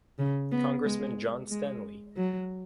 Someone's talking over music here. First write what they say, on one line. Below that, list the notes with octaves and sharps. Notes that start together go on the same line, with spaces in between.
Congressman John Stanly.
C#3
B3
G#3
G#3
F#3